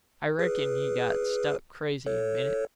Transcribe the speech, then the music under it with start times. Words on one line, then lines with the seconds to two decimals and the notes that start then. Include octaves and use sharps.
I reckon he got struck crazy a minute.
0.39 G#4 B4
2.06 A4 C#5